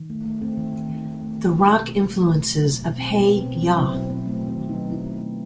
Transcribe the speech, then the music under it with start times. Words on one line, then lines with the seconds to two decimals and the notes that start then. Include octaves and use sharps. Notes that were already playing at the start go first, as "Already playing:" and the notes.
The rock influences of Hey Ya!
Already playing: D#3
0.10 A3
0.26 A3
0.42 A3 C4
0.57 D#3
0.74 D#3
0.90 D#3
1.06 D#3
1.22 A3
1.38 D#3
1.53 A3
1.70 B2
1.86 B2
2.02 A3
2.18 A3
2.34 B2
2.50 F#3
2.66 B2
2.82 B2
2.98 B2 C4
3.14 B2
3.19 B3
3.29 B2
3.41 C4
3.46 B2
3.62 F#3 C4
3.78 B2 C4 E4
3.94 B2 C4
4.10 B2 C4
4.26 A3 C4
4.43 D#3 C4
4.59 D#3
4.68 B3 D#4
4.75 F#3
4.90 F#3 C4 E4
5.07 A3
5.23 A3